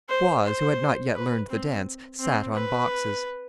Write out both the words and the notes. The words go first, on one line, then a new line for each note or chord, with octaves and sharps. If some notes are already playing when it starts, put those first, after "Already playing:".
Squaws, who had not yet learned the dance, sat on boxes.
C5
C5
B4
C4
C4
B4